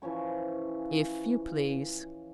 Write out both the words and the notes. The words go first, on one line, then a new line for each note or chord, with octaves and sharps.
"If you please."
E3 F3 C#4 C#6